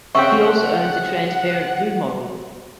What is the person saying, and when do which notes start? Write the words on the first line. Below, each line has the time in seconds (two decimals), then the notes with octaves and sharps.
He also owns a transparent blue model.
0.15 C#3 C4 E5 F#5 G5 C#6